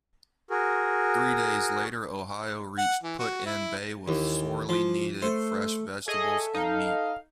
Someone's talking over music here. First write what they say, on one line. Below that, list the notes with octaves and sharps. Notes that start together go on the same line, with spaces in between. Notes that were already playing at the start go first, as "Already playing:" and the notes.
Three days later "Ohio" reached Put-in Bay with sorely needed fresh vegetables and meat.
F#4 G#4 A#4
F#5
E3
F#4
E4
D#2 E3
F3
A3 C5
G#4 A4 C#5 D#5 E5 G#5
D#4 F5